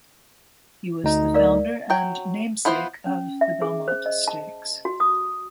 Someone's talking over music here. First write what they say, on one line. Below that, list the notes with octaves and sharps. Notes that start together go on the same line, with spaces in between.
He was the founder and namesake of the Belmont Stakes.
D2 D#4
A#4 D5 F5
F#3 G5
B3 E4 F4 C5 F5
C#4
E5
G#4
C5
D#5
A5
F#4
D#6